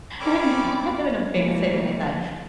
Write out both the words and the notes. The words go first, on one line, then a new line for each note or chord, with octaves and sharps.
No, I live in a big city, and I thought,
A3 C4 C#4 A#4 D5 B5 D6
C3 E3 F3 G3 G#3 A#3